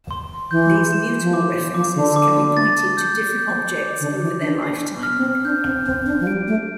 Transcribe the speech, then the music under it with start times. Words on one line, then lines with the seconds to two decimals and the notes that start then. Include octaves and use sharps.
These mutable references can be pointed to different objects over their lifetime.
0.11 C6
0.51 E3 G6
0.93 E7
1.22 F3
1.33 E3 D6
1.74 F3 D6
1.95 D3
2.16 D6
2.57 A6
2.97 G6
3.39 G6
3.79 D6
4.00 D3
4.21 E3 D6
4.42 D4
4.62 D4 C7
5.03 F6
5.17 C4
5.44 D4 G6
5.65 C4
5.86 C4 G6
6.06 D4
6.20 F3
6.27 G3 D7
6.48 A3